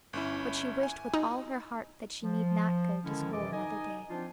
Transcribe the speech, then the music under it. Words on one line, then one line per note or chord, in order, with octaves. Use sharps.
But she wished with all her heart that she need not go to school another day.
G1 C#4 E4
G#5
D#4
F3
D3 D#3 F3 G#3 C#4 E4
F#2 C3 E3 A4 D#5 D6
D#4 D#5 G#5
F3 C4 D4 D#4 F4